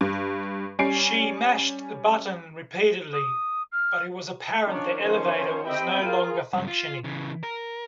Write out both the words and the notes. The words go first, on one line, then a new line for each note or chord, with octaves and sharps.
She mashed the button repeatedly, but it was apparent the elevator was no longer functioning.
G2
G3 C#4 C7 D7
D#6
F6
D#3 F3 C#4 D4 C#5
D#3 F3 C#4 C5 C#5 G#5
C4 G4 D#5 E5 G5 B5
F4 G#4 A#4
G2 C#3
F4
C#3 E3
A#4